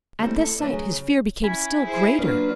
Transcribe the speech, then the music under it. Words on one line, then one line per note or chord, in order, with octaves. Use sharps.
At this sight his fear became still greater.
D#3 G3 A3 A#3 C4 E4
E4 A4 D5
D2 F#3 C#4 D4 B4 E5
F#3 G#4
C#3
C#4 E4 G#5 B5
E4 G#4 C5
F#3 A#3 D4 F4 B4